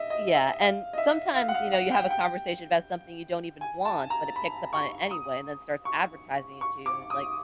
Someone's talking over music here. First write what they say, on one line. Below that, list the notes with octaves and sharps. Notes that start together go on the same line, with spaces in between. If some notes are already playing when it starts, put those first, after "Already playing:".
Yeah, and sometimes, you know, you have a conversation about something you don't even want, but it picks up on it anyway and then starts advertising it to you, and it's like,
Already playing: D#5 E5
D#5
E5
F5
D#5
E5
F5
F#5
F5
F#5
G5
G5
G#5
A5
A#5
B5
C#6
D#6
C#6
C#6
D6
D#6